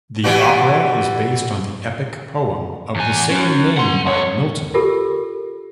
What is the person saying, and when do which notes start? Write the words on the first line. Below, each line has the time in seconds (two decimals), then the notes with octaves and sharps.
The opera is based on the epic poem of the same name by Milton.
0.24 E3 G3 F#4
2.96 E2 G#5
3.30 C#4 F#4
3.78 F#5 C6
4.06 G2 C#5
4.74 F4 G4 A4 A#4